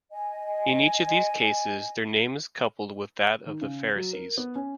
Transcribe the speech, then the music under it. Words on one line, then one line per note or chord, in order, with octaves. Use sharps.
In each of these cases their name is coupled with that of the Pharisees.
D#5 G#5
D#3
C#3
F#3
A#4
B3
C#4